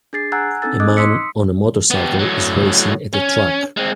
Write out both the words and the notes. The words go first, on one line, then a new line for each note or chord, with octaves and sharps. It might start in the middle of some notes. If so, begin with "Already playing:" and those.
A man on a motorcycle is racing at a track.
D4 G#4 A6 C7
F#5 G#5 A#5 E6 F#6 G#6
C4 D4 D#4 A4 E6 A6
D#4 D#5 D6 D#6 F#6 G#6
C6 D#6 E6 B6 C#7
B3 G4
A2 F#3
C#4
G#3 C4